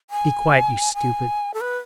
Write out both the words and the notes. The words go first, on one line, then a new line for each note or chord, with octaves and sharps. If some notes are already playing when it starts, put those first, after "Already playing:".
Be quiet, you stupid!
G#5
G#5
A4
B4